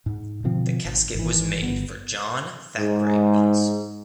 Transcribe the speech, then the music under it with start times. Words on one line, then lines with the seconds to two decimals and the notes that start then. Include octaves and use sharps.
The casket was made for John Thackray Bunce.
0.06 G#2
0.44 B2 D3 F3 C4
0.85 G#1
1.15 G#1 E3
1.62 G1 B3
2.77 G#2